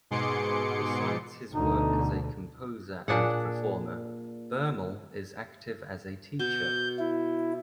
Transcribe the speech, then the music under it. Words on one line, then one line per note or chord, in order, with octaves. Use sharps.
Besides his work as a composer and performer, Bermel is active as a teacher.
G#2 B2 G#4 C6 D6 C#7
D2 B2 D3 D#4
A#2 D4 G#4 F#5
B2 G6
E4